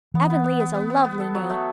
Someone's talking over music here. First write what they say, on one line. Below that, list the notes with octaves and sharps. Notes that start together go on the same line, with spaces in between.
Avonlea is a lovely name.
E3 B3
B3
B3
B3
B3
B3
B3
A4
F#3
A3